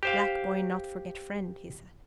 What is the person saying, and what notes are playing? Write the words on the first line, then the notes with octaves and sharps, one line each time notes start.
"Black boy not forget friend," he said.
G4 C5 F5